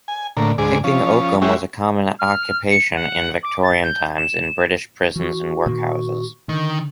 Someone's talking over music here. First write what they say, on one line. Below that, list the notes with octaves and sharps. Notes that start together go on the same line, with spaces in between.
Picking oakum was a common occupation in Victorian times in British prisons and workhouses.
G#5
A2 D3 A#3
D2 G#2 G#4 D6
F3 C#4
G#3 C#4 E4 F#4 G4
F6
C#7
F#5
D6
A6
G6
E7
E3 F#4
A#2 D#3 A#3
D3 D#3